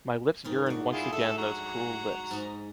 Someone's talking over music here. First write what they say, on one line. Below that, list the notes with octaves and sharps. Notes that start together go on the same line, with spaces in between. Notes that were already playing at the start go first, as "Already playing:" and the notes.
My lips yearned once again those cruel lips.
G#2 D#3 D#4
D4 F#4
E4 F4 G#4
G#4 A4 E5
F#4 A#5
G#2 D#5